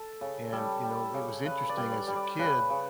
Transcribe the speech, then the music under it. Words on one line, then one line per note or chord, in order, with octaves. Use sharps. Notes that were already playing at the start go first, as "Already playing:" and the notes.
and, you know, it was interesting as a kid,
Already playing: A4
C#3
G3 A4
G3
C#3
C#3 B4
D5
G3
D5
G3
D5
C#3 B4
C#3